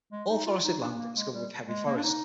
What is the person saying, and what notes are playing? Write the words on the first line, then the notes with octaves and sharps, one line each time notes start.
All forested land is covered with heavy forest.
G#3
D#4
F4
D#4
D4
A#3
G#3
G3
G#3
A#3
D4
D#4